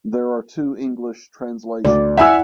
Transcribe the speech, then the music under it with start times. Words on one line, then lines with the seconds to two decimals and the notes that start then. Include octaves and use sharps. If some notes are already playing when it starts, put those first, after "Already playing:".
There are two English translations.
1.85 D2 D5
2.17 E4 E5 F#5 G#5 E6